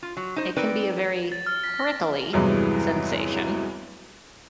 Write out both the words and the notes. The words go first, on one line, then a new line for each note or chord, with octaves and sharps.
it can be a very prickly sensation,
F4
F#3
D#4 C5
C4 D#4 A#4 B4 D5
A6
F6
B6
A#6
E2 G2 C3 E3 F#3 G#3